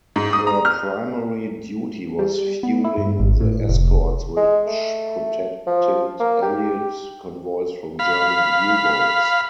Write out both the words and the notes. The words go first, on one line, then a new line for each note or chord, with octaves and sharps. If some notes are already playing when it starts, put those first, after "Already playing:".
Her primary duty was fueling the escorts which protected Allied convoys from German U-boats.
G#2
D#6
A#5
F6
G3
B3
E4
G2
G#1
A2
F1
G#3
A3
F3
A#3
G4
F5 B5